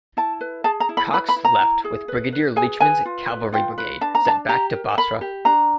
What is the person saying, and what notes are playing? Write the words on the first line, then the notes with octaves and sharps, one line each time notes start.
Cox left with Brigadier Leachman's cavalry brigade sent back to Basra.
E4 A5
B4
G#4 A5
A#5
E4
B5
B4 B5
B5
E4
A#5
E4
G#4
B4
B4
G#4 G#5
B4 G#5
F4
B4
F4 G5
B4
D4 A5
A#5
D4 A5
G4 A#5
A#4
A#4 B5
G4
D4 A#5